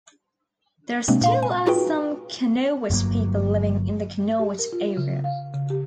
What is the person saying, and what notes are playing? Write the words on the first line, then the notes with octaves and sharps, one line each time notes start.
There still are some Kanowit people living in the Kanowit area.
C3 G#3 A#3 C4 D4
A#2 F5 C6
G#5
D#4 F4 F#4 G#4 B4 G5
G1 G2 F#3 A#3
G4
A#4
F4
C#3
F5
C#3
G4